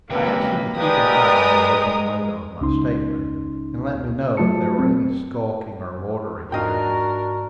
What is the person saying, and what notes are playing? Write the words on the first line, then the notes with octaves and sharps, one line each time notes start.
I asked them to keep an eye on the open windows of my state-room, and let me know if there were any skulking or loitering near them.
C#2 C3 A#3 B4
G#3 G4 A#4 B4 D5 D#6
C#2 C#4 D#4 C6
F#3 A3 F4 A5 C#7
C4
G#2 D4 F4 F#4 A#4 D#5 G5 F6